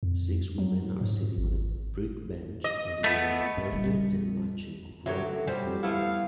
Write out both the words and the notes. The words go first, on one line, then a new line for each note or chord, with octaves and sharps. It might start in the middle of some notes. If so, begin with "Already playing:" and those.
Six women are sitting on a brick bench and wearing purple and matching red and blue hats.
F2
F#3
G#2
G#1
D#5
A3 B3
A#1 G3
D2 F#3 G4 A4 C#5 E5
G3 C5
A3 B3 E4 F5